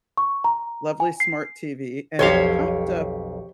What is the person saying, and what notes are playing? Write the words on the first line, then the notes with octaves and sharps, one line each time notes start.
lovely smart TV and it popped up
C#6
A#5
G#5
C7
B1 F2 G4 C5 C#5 F5